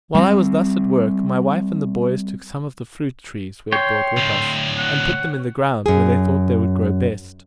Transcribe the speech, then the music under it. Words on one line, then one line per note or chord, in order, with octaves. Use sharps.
While I was thus at work, my wife and the boys took some of the fruit trees we had brought with us, and put them in the ground where they thought they would grow best.
G3 G#3 C4
C#5 G5 C6
D2 A2
F#5
F#2 G#4